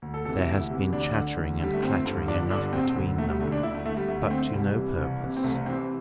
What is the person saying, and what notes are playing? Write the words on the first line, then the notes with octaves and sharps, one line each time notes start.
There has been chattering and clattering enough between them, but to no purpose.
D2
A4
C3 E3 A4
E4
D2
C3 E3
D2 D4
D3
D2
D3 G3
A3
G1 C4
G2 D3
G1 D4
G2 D3 D4
E1 C4
D2 D3
E1 A3
G3
D2 D3 A3
D4
D2 E4
A3
D3 A3
G3
D2 A3
A3
D3 C4
C2 G3
C3 E3
C2
C3 E3
C4
C2 A3
C3 E3 C4